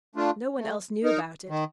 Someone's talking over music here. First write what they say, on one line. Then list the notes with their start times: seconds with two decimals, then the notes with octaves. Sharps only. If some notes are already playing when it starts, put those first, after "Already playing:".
No one else knew about it.
0.15 A3 D4 F4
0.59 A3
1.04 D#4 A#4
1.49 D#3